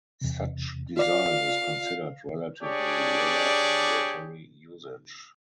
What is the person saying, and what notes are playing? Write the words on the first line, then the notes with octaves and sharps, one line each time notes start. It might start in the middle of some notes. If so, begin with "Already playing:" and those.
Such design is considered relatively rare in military usage.
E2 C3
F4 D5 F5
D4 G4 G#4 C#5 D5